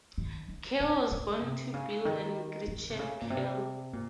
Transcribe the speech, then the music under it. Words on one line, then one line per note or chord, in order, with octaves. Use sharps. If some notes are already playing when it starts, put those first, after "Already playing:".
Curl was born to Bill and Gretchen Curl.
D#3
D#3
C#3
C#3
C3
C#3
D#3
D#3
C3
C#3
A#2
C3
A#2